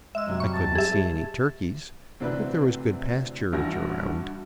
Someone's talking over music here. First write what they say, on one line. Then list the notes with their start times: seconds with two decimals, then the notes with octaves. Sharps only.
I couldn't see any turkeys, but there was good pasturage around.
0.15 G#3 E5 E6
0.26 F#2 C3 F#3
0.40 G3 C#6
0.54 A5
0.75 G3 G#4 E5
2.20 D2 C3 E3 C4 D4 B4
3.53 A1 G2 F#4 A#6